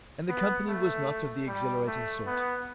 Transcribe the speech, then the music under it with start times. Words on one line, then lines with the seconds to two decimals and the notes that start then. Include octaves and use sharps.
And the company was not of the exhilarating sort.
0.29 B3
0.69 A3
1.47 G3
1.87 A3
2.26 B3